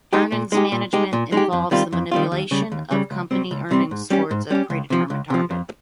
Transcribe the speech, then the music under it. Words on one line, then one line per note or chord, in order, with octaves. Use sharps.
Earnings management involves the manipulation of company earnings towards a pre-determined target.
G#3 D#4 G4
A#2
G#3 D#4 G4
A#2
G#3 D#4 G4
A#2
G#3 D#4 G4
F2
D#3 G3 C4 F4
F2
D#3 G3 C4 F4
D#2
C#3 G3
D#2
C#3 G3
C#2
C3 G3 C4
C#2
C3 G3 C4
G#2
G3 C#4 G4
G#2
G3 C#4 G4
C#2
C3 F3
C#2
C3 F3
F2